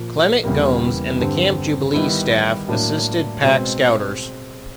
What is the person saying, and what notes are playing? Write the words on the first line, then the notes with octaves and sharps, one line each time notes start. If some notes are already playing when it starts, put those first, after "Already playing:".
Clement Gomes and the Camp Jubilee staff assisted Pack Scouters.
Already playing: A#2 F3 A#3
E2 C#3 E3 G3 A#3
G2 D3 G3 C4
D#3 G3 B3 E4
A2 F#3 A#3 D4
B2 G#3 C4